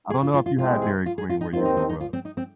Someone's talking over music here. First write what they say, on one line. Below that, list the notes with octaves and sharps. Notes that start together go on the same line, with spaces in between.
I don't know if you had Dairy Queen where you grew up.
G#4
F4
F4
F4
C2 C3 G#3 C4 F4
G#4
F4
G#4
F4
D#4
D#2 D#3 C4 F4
D#4
D#4
D#4
F4
C4
D#4
C4